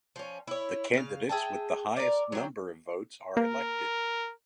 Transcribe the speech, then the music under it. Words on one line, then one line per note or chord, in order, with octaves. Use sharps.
The candidates with the highest number of votes are elected.
F3 C#4
E4 C#5
C#3 F5
G#4 E5 G5 A5
A#4 D5
F#3 C4
A#3 A#4